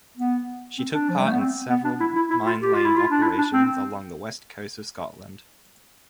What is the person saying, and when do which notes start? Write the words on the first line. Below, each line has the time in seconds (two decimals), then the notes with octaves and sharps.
She took part in several minelaying operations along the west coast of Scotland.
0.17 B3
0.78 C4
0.93 D4
1.10 F3
1.17 G3
1.24 A3
1.32 B3
1.39 C4
1.70 B3
1.84 D4
2.00 E4
2.16 E4
2.30 E4
2.46 F4
2.61 G4
2.74 F4
2.85 E4
2.97 F4
3.11 D4
3.22 E4
3.38 D4
3.53 C4